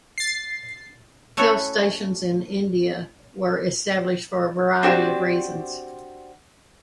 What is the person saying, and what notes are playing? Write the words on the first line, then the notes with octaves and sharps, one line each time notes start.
Hill stations in India were established for a variety of reasons.
A6 C7
A3 C#4 E4 F#4 A4 C#5
C4 D4 F#4 G4 C5 D5